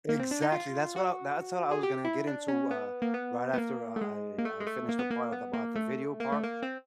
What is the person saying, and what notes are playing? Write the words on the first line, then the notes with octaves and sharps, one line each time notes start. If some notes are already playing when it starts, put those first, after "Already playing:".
exactly. That's what I that's what I was gonna get into, uh, right after I I I finished the part of about the video part.
A#3
C4
D4
D#4
F4
F#4
G#4
G4
E4
D4
C#4
B3
A#3
B3
B3
A#3
A3
G#3
A#3
A3
G#3
A3
A#3
B3
A#3
B3
A#3
A3
A#3
A3
A#3
C4